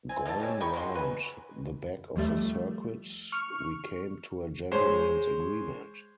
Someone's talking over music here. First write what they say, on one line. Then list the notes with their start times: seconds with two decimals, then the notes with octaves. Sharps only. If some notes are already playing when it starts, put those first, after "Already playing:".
Going round the back of the circuit we came to a gentleman's agreement.
0.09 C4 G#5
0.26 B2 E3 A3 A5
0.40 G3 C#4 D4 C#5
0.60 D#3 G5 B5 C#6
0.74 G#3 F4 F#4 C6
0.95 C#4 B4
2.16 D#2 F3 G3 A3
3.32 C#6 F6
4.71 G#3 C5 C#5